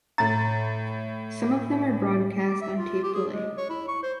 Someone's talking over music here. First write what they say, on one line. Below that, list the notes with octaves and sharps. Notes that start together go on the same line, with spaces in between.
Some of them are broadcast on tape-delay.
A2 A#5 A6
D6
E5
F4
G4
G#4
G#3
C#5
E4
C#6
C5